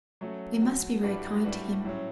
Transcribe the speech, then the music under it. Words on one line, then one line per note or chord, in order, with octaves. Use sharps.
We must be very kind to him.'
F#3 A3 C#4 F#4
F#3 A3 C#4 F#4
A2 G3 D4 F#4 B4
A2 G3 D4 F#4 B4
A2 F#3 C#4